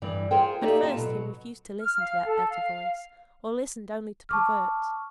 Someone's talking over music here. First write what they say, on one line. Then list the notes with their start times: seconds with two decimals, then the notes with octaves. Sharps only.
At first he refused to listen to that better voice; or listened only to pervert.
0.02 G2 E3 D5
0.31 F4 G#4 A#4 C5 F#5 G5
0.61 A#3 D#4 G4 A4 D5 E5
0.83 F4 A5
0.97 B2 F#3
1.81 F6
2.01 F5
2.26 A4
2.50 F5
4.29 A5 C#6 D6 F6